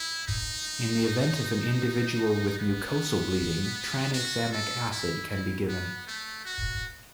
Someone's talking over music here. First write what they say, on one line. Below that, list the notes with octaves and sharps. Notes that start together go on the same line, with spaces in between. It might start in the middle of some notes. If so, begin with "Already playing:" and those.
In the event of an individual with mucosal bleeding tranexamic acid can be given.
Already playing: E4
D#4
B3
F#4
A4
E4
E4
B3
A3
F#4